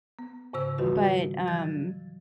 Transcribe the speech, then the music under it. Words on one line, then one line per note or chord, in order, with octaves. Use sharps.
But, um,
B3
G#2 C#3 C5 E6
D#3 E3 G3 F4 F#4 B4
E3 F#3 G#6 A6